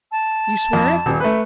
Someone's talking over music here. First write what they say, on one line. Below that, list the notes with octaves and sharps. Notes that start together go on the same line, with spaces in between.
You swear it?'
A5
F2
D#1
A3 B4